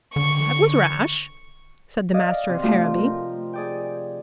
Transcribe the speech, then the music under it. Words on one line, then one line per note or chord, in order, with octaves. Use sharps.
"That was rash," said the master of Harrowby.
D3 C#6
D5 D#5 F5
C3
F3 A3 F4 G4
A#4
G#4 D5 G5